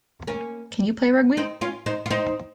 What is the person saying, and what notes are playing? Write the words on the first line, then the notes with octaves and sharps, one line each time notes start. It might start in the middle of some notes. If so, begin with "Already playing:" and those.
Can you play Rugby?
A#3 C#4
C4 D#4
C#4 F4
C4 D#4
F4
C4 D#4